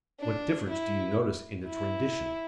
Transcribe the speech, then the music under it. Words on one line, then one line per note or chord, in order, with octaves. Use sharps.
What difference do you notice in its rendition?
D4
E4
E4